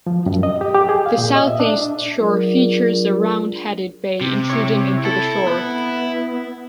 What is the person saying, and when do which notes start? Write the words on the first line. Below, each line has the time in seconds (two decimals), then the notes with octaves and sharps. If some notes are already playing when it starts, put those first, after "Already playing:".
The southeast shore features a round-headed bay intruding into the shore.
0.07 F3
0.26 F#2
0.43 D#5
0.61 G4
0.74 G4
0.89 G#4
1.06 F5
1.18 A#2
1.35 D#5
1.47 E5
1.60 D4
2.16 F#3 D4 F4 G#4 A#4 D5
4.21 C3
4.50 E4 C#5
5.05 E4 A4
5.47 B3